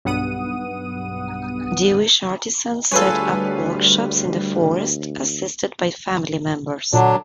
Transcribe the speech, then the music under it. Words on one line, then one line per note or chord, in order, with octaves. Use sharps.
Jewish artisans set up workshops in the forest, assisted by family members.
B1 G2 B3 F#5 D#6 D#7
D2 G3 F4 G#4 A4 B4 C#5
A#2 D3 F#3 D4